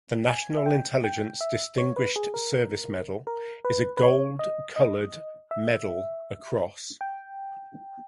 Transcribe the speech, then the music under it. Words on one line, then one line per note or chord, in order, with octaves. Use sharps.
The National Intelligence Distinguished Service Medal is a gold colored medal across.
G#5
E5
G5
G5
E5
C#5
B4
G#4
A#4
A#4
B4
B4
C#5
D#5
D#5
E5
G5